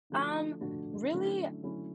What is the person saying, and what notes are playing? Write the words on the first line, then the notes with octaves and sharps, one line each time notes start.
Um, really?
D3 F3 A3 D4 F#4
D3 F3 A3 D4 F#4
D3 F#3 A3 C#4 E4
D3 F#3 A3 C#4 E4